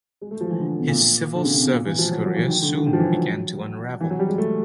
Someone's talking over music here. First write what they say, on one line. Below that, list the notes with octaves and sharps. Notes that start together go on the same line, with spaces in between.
His civil service career soon began to unravel.
G#3
A3
F3
E3
D3
B2
A#2
D3
C#3
C3
B2
A#2
E3
F3
F#3
F#3
E3
D#3
D3
D3
D#3
F3
E3
F#3
E3
F#3
G3
G#3
A3